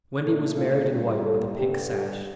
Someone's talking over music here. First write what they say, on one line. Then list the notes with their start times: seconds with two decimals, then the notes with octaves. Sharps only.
Wendy was married in white with a pink sash.
0.23 A#2 A3 A4
0.56 F4
0.90 A2 G3 A#3 F4
1.23 A4
1.56 G2 D3 G3 G4
1.90 G4